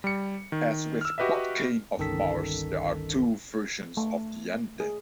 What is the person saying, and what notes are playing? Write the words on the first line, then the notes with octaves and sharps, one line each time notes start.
As with "Podkayne of Mars", there are two versions of the ending.
G3 C#7
D#3
E6 F6
F#4 G4 B4 D#5 E5
G1 C2 D#3 C#4 A4 B6
A3
G#4